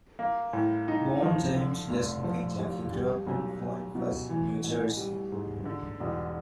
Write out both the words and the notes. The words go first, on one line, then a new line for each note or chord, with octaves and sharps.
Born James Justin Pinchak, he grew up in Point Pleasant, New Jersey.
A#3
A2
D#4
F3
D3
F1
F3
D#2
G3
B1
B1
B2
E3
A1
G3
G#2
D3
E1